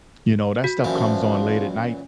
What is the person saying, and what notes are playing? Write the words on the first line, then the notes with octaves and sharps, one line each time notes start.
you know, that stuff comes on late at night.
F#4
F#2 A#2 E3 F3